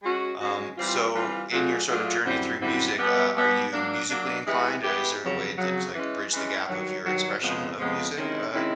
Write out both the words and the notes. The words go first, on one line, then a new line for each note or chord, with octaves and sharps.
um, so in your sort of journey through music, uh, are you musically inclined? Is there a way th to, uh, like, bridge the gap of your expression of music, uh,
G#3 C#4 F#4
G#3 C#4 F#4
E3 G3 C4 F4
E3 G3 C4 F4
F#3 A3 D4 F4 G#4
F#3 A3 D4 F4 G#4
F#2 D3 G3 C4 E4
F#2 D3 G3 C4 E4
B2 G3 B3
B2 G3 B3
F#3 A#3 D4
F#3 A#3 D4
E3 G#3 B3 E4 G4
E3 G#3 B3 E4 G4
F2 C#3 F#3
F2 C#3 F#3
E3 G#3 C#4
E3 G#3 C#4
G2 D#3 F#3
G2 D#3 F#3
F2 C#3 F3 G#3 B3
F2 C#3 F3 G#3 B3
C3 D#3 G#3 C#4 E4
C3 D#3 G#3 C#4 E4